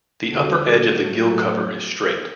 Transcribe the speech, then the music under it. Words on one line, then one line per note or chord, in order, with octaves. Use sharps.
The upper edge of the gill cover is straight.
E2 D3 G3 F#4 A4
A2 F#3 A3